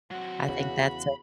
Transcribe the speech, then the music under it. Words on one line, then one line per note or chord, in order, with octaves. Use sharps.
I think that's a
F#3 C4 F#4
E2 C#3 B5